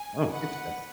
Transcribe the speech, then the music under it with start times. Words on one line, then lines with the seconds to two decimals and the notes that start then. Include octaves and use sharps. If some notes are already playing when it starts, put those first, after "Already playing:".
Oh, interesting.
Already playing: G#5
0.32 B4 F#5